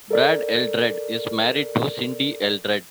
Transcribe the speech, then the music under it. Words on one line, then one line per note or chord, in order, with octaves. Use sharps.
Brad Eldred is married to Cindy Eldred.
A4 A#4 D5